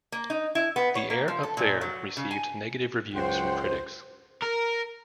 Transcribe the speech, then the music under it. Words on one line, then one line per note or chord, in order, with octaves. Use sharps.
"The Air Up There" received negative reviews from critics.
A#3
D#4
E4
B3
C#5
A#3
F3
A4
A#2
F#3
C#3
G#5
C#2 F#3 C5 F#5 G5
A#4